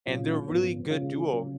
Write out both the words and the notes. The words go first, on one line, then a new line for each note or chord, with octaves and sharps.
and they're a really good duo,
A#2 F#3 C#4 F4
G#2 F3 B3
C#3 G#3 C#4 F4
C#3 F#3 C#4